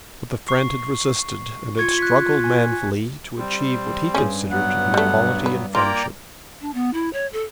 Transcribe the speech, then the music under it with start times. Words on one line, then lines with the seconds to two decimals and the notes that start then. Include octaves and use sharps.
But the friend had resisted, and had struggled manfully to achieve what he considered an equality in friendship.
0.48 C#6 C7
1.78 F4 C#6 G#6 C#7
1.98 F#6 B6
2.44 G#5
3.38 G3 C4
4.14 G2 C#4 G#4
4.51 F#3 B3 F#5
4.94 G3 A3
5.46 B4
5.75 A#3 F4 D5 G5 A#5
6.61 D4
6.74 B3
6.93 E4
7.13 C#5
7.33 A4